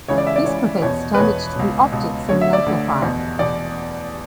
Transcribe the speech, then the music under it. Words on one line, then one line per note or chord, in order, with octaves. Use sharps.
This prevents damage to the optics in the amplifier.
C#2 C#3 E3 C#5
D5
E5
D5
C#2 C#3 E3 C#5
E2 B2 C#5
B4
E2 B2 C#5
C#2 B2
C#2 B2
D2 D3 C#5
E5
D5
D2 D3
E2 B2
E2 B2 D5